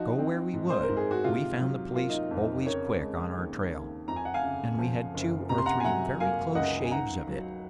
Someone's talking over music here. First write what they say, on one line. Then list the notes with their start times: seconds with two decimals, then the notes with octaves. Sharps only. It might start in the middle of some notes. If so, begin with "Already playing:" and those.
Go where we would, we found the police always quick on our trail, and we had two or three very close shaves of it.
Already playing: F3 D#4 F#4
0.18 C4
0.53 G#2
0.70 C5
0.83 A#4
0.89 G#2
0.97 G#4
1.11 F#4
1.24 C3 F4
1.60 F#3
1.95 A#3 F4
2.09 D#4
2.31 F2
2.36 D#4
2.66 C#3 A#4 C#5
3.01 G#3
3.38 D#2
3.72 D#2
4.08 F2 A#5
4.16 G#5
4.25 F#5
4.34 F5 G#5
4.43 C#3
4.78 F3
5.14 F#1
5.49 C3 A#5
5.58 C6
5.66 F#5 A#5
5.80 G#5
5.85 F#3 F#5 A#5
6.20 A#3 F5 G#5
6.55 C#2 D#5 F#5
6.85 G#5
6.91 D#3 F#5 A#5
7.27 F#3